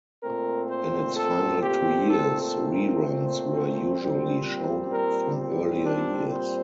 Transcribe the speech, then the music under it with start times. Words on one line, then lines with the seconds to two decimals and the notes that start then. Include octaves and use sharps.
In its final two years, reruns were usually shown from earlier years.
0.23 A#2 A3 C4 A#4
0.70 C5
1.17 A4
1.63 G4
2.10 A4
2.41 A4
2.73 A#4
3.04 C5
3.98 A#2 G3 C4
4.92 A#4
5.85 D4
6.33 C5